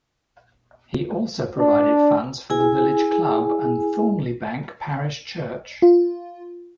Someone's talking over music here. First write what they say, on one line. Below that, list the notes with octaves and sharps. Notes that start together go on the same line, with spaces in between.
He also provided funds for the village club and Thornliebank Parish Church.
D4
E4 G#4 G#5
F4